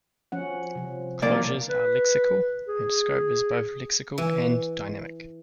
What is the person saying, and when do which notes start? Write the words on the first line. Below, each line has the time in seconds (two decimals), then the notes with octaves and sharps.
Closures are lexical, and scope is both lexical and dynamic.
0.32 F3 C#4 F#5
0.75 C3 F3
1.22 B1 C#3 E3 A#3 A#4 D5
1.69 B4
2.68 G#4
4.18 E3